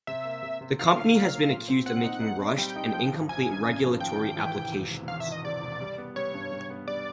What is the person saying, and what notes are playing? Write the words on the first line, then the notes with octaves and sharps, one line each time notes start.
The company has been accused of making rushed and incomplete regulatory applications.
C3 E5
A#3
C3
C3
D#3 F5
D#3
F#3
A#3
A#2
C4
C4 F#5
D#4
D#4
C4
G3 G5
D#4
F3
G#1
G#1 G#5
F#2
C#3
F3
F3 G5
G#1
E3
E1
E1
C3
E2 F5
E5
E1
D#5
C3 D5
E1
G3
B3
G3 C#5
G2
G3
B3
G3 D5